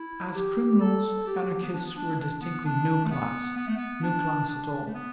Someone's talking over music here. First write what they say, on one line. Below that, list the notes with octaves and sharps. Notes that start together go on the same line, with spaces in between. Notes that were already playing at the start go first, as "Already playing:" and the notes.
As criminals, anarchists were distinctly no class--no class at all.
Already playing: E4
G4
A4
G4
B3
D4
B3
D4
D4
D4
B3
D4
A3
B3
B3
A3
B3
D4
D4
A3
B3